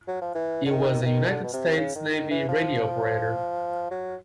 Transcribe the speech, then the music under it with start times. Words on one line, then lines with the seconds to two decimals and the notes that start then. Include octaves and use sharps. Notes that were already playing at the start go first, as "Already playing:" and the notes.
He was a United States Navy radio operator.
0.08 F#3
0.22 F3
0.35 E3
0.66 D3
0.71 D#3
1.02 E3
1.06 D#3
1.30 D3
1.44 B2
1.53 C3
1.78 C#3
1.95 D#3
2.13 D#3
2.31 E3
2.49 F3
3.91 F#3